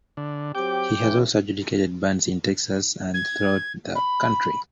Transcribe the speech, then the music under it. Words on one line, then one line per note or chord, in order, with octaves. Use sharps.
He has also adjudicated bands in Texas and throughout the country.
D3
F#3 C4 G4 G5 D6
C#3 E3
G#6
B5